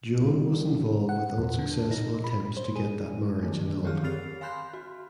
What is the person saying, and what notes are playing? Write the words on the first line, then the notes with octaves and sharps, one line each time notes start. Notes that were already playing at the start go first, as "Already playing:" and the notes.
Joan was involved with unsuccessful attempts to get that marriage annulled.
C2
F#5
E2
D3
D#4
B5
C5
G#4
D#3 E3 A3
D#3 G4 G#4 F6
D3 C4 F6 A6 C7 F7
F5 G#5 B5 C6 F#6 G6
F#4